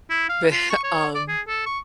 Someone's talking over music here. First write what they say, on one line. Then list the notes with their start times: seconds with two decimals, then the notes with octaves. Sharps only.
But, um
0.10 E4
0.29 F5
0.52 F4
0.70 C#6
0.84 C#5
1.15 D5
1.28 G#4
1.48 A4
1.66 C#6